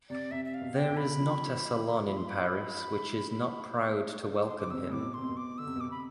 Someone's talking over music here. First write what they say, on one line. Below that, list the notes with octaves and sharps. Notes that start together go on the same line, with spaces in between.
There is not a salon in Paris which is not proud to welcome him.
C3 D5
C3 E5
E5
F5
B2
G5
B2
B5
F3
F3 B5
C6
B5
C6
D6
C3 E6
A2 D6
B2
C3 C6
B2
D6
D3 E6
C3
B2
C3 D6
B5